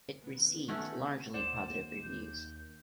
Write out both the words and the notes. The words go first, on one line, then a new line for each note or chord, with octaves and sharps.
It received largely positive reviews.
D#3 B3
A3 C#4 F#4
D#2 C5 D5 F#5 E7
G6